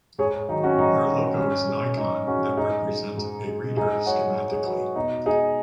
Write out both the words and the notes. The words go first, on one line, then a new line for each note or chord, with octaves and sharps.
Their logo is an icon that represent a reader schematically.
G#2 G#4 C#5
D#3 F#3 D#4
C#4 F#4
G#2 D#4
D#3 F#3
G#2 C#4
G#3
G#2 D#4
G#3 C#4 F#4
G#2 D#4 G#4
G#3
G#2
G#3
G#2 D#4 G#4
F#3 C#5 F#5
G#2
G#4 C#5
F#3 F#4 B4
B2 D#4
G#3 D#4 G#4